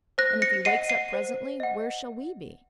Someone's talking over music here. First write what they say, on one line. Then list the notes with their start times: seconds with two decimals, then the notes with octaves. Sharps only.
And if he wakes up presently, where shall we be?
0.18 C5 F#6 A#6
0.42 A#6 C#7
0.65 D#5 F#5 C7 D#7
0.89 C7 D#7
1.13 C5
1.60 D#5 F#5